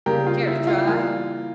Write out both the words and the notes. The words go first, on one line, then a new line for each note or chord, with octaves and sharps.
"Care to try?"
C#3 G3 A#3 G4 A#4
F4
E4
F4
E3 G3 A#3 F4